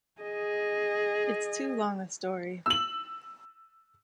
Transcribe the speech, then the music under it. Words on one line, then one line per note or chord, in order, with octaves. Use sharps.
It's too long a story.
G#4 D#5
E6 F#7